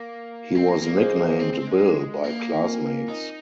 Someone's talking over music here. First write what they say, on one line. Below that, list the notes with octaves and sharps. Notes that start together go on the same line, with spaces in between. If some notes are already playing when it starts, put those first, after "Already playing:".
He was nicknamed "Bill" by classmates.
Already playing: A#3
C4
A#3
A#3
G#4 C5 D#5
C4
C4
G#3
A#3
C4 F4 A#4 G#5
D#4